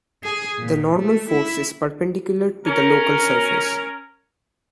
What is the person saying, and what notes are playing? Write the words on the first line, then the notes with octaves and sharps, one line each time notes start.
The normal force is perpendicular to the local surface.
G#4
A#2
A3
E4
C#4 A#4